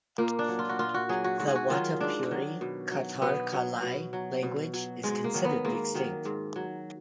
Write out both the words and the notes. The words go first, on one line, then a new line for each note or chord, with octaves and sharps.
The wotapuri-katarqalai language is considered extinct.
A#2 A#3
D4
F#3
F4
F#4
A#2 F4
F#4
F#3 G#4
F#4
G#2 F#4
G#4
F#4
D#3 F#3 F4
G#2 D4
D#3 F#3
B2
F#3
B2 B3
F#3
B2
F#3
B2
F#3
G#2 G#3
A#3
D#3 F#3
B3
G#2 A#3
D#3 F#3
G#2
F#3